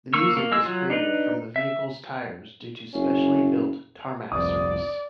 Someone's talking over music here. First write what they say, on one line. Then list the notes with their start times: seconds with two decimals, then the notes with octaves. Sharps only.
The music is created from the vehicle's tires due to specially built tarmac surface.
0.14 A#3 C#6 E6
0.37 A#3
0.52 G#3 E6
0.64 F#3 F4
0.90 D4 D#4 B4
1.56 E5
2.94 F#1 C#4
4.32 G1 C2 F2 D5 D#6